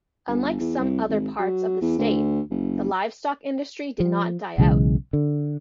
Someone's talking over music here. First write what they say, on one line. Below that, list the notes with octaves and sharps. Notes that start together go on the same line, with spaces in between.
Unlike some other parts of the state, the livestock industry did not die out.
G1
E2
C2
G#1
F#3
E2
D2
F#1
F3
B1 C#3 E3 G#3
D3